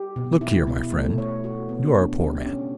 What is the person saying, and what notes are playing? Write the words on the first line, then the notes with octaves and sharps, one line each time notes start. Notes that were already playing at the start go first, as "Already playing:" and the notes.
'Look here, my friend, you are a poor man.
Already playing: G4
B2
E4
B2
A3
C#5
F#4
B3
D4
G4
C#4